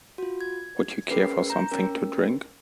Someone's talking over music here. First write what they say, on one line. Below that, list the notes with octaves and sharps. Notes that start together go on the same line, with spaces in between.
Would you care for something to drink?
F4 F#4
G#6
C#4 G#4 A#4 B4 C7
A#5 G6
C#4 A#4